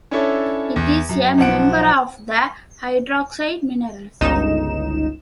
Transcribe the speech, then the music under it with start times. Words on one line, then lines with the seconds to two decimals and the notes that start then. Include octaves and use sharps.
It is a member of the hydroxide minerals.
0.11 C#4 D4 E4 A4 C#5
0.76 E2
1.09 F#2
1.38 B1 F3 F#5 D7
4.21 G1 C#2 D#4 E7